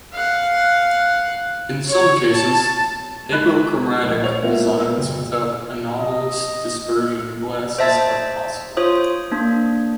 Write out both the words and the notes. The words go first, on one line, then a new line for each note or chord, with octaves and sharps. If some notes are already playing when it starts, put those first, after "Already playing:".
In some cases, apochromatic designs without anomalous dispersion glasses are possible.
F5 F#5
C#5
A5
G#3 D#4 B5 F#6
A#1 A2
C5 C#5 F7
G#3 A#3 B3 E4 F4
F#1
D#5
C5 D#5 E5 A5 G#6 A6
F4 C5 C#5 D#6
A#3 D4